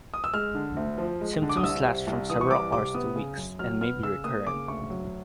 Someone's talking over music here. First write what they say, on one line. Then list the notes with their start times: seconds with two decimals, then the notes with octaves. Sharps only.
Symptoms last from several hours to weeks and may be recurrent.
0.14 D#6
0.24 E6
0.33 G#3 F6
0.55 D3
0.77 D2
0.98 F3
1.21 G#3
1.42 D3
1.49 D6
1.57 D#6
1.63 C2 E6
1.85 C3
2.07 C2
2.30 E3 D#6
2.41 C#6
2.51 C2 D6
2.72 C3 D6
2.94 B3 D#6
3.16 C#3
3.38 F#2
3.59 F#3 F6
3.81 B3 F6
4.03 C#3 E6
4.24 A#3 D#6
4.46 C#3 D6
4.68 D2 C#6
4.90 F#3